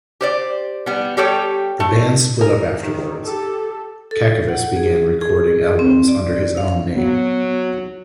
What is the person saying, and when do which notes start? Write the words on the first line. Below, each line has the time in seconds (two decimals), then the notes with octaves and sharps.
The band split up afterwards; Cacavas began recording albums under his own name.
0.21 G4 C5 D5
0.86 G3 B3
1.17 G3 G4 A4 C#5 G5
1.80 A3
2.41 A#4
2.81 D#3
3.24 G4 A4
4.11 A4
4.49 F#5
4.76 G#4
5.21 G#4
5.79 C4
6.08 D5
6.57 F5
6.96 F#3 B3